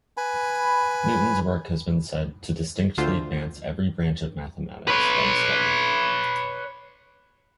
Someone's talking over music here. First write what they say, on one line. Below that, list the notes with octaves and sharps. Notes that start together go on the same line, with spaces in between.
Newton's work has been said "to distinctly advance every branch of mathematics then studied".
B4 G#5 B5
D2 D3 F4 C5
B4 C#5